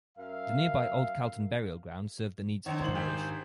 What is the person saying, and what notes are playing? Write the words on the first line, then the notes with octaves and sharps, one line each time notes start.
The nearby Old Calton Burial Ground served the needs of the parish.
F#2 A#4 E5 F5
D3 C4 D4 D#4 C#5
G#1 C5 F#7
G4 G5 G#5